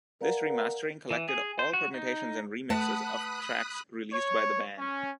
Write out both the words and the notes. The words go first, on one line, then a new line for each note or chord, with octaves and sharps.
This remastering collected all permutations and remixes of tracks released by the band.
A#4 B4 D5 F5 F#5 A#5
E3
G#4
C5
F#4
D#4
A3 B4 F#5 A5 B5 D#6 F#6
C#5
C#4